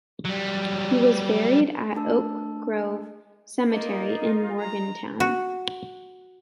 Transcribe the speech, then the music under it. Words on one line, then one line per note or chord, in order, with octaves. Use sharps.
He was buried at Oak Grove Cemetery in Morgantown.
F#3 G3
A3 D4 A5 E6
A#3 D#4 F4 D#5
A#5
F#4